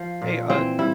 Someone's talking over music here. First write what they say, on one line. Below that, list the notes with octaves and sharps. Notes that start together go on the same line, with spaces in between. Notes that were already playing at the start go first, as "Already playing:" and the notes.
Hey, uh,
Already playing: F3
A#2
E3 C4
G3 E4